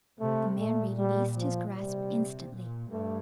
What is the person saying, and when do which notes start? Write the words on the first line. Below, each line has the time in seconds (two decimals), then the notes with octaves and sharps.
The man released his grasp instantly.
0.20 C3 A3
0.59 A#2 A3
0.97 G3
1.37 F3
1.75 C3 G3
2.53 A#2
2.91 G2 A3